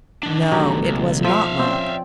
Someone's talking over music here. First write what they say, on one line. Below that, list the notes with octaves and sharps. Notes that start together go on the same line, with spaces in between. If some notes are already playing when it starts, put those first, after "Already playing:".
No, it was not luck.
D#3 D4
B1 F#3 A3 B3 G4
C#2
F3 E5 F5
C4 C#4 D5 G5